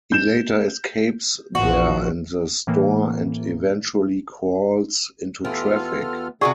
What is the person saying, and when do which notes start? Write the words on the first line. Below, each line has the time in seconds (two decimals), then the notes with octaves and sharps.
He later escapes there and the store and eventually crawls into traffic.
0.12 G6 E7
1.55 A#1 F3 F#4
2.67 A2 E3 A#3
5.44 E2 B3 F4 G4 A4 F6
6.41 F2 C3 D#3 F#4 G#4 A4 D5 C#6